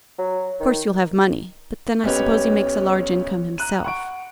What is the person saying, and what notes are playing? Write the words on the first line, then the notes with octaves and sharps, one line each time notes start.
Of course you'll have money, but then I suppose he makes a large income himself.
F#3
D#3
B1 B2 C#4 G4 B4 C#5
A#5 F#6 D#7
F#5 C#6 D7